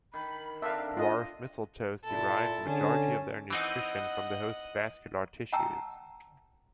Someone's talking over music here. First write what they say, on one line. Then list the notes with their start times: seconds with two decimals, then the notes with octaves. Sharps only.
Dwarf mistletoes derive the majority of their nutrition from the host's vascular tissues.
0.14 D#3 B5
0.62 D3 C4 D4 A#4 E5 F5
0.97 F4 D5 D#5
2.04 A#2 E4 A4
2.66 D3 C#4 G#4 A5
3.50 E3 C4 D#4 D#5 F#5
5.53 F#5 G5 A5 A#5 E6